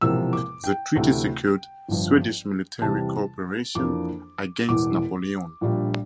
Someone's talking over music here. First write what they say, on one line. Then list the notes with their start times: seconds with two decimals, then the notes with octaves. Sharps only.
The treaty secured Swedish military cooperation against Napoleon.
0.01 E1 E2 C3 F3 A#3 E6
0.33 D6
0.64 G5
0.95 D2 C3 E3 A3 C4
1.88 G1 G2 F3
2.81 E2 C3 E3 G3 A5
3.75 F2 E3 A#3 D4 D6
4.68 E1 E2 E3 D6
5.61 A#1 A#2 G3 D4